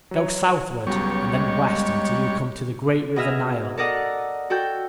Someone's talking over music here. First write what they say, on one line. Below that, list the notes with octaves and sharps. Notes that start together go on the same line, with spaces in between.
Go southward and then west until you come to the great river Nile.
F#3 C#5
C#2 F#3 G3 B3 C#5
G#3
B2 G#4 D#5 E5 F6
A4 A#4 D5 D#5 F#5
F#4 A4 G5 G6